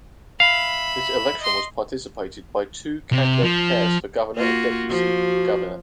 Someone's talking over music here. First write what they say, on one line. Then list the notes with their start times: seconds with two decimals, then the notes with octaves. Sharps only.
This election was participated by two candidate pairs for governor and deputy governor.
0.40 E5 F5 B5
1.40 D#5 C6
3.13 C3
3.43 F3
4.36 A#3 F4 F#4
4.89 F3 F#4